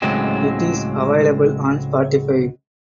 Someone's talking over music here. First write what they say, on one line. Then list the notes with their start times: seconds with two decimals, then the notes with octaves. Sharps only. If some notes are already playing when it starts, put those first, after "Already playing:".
It is available on Spotify.
0.02 C#2 A2 C#3 F#3 G#3 C4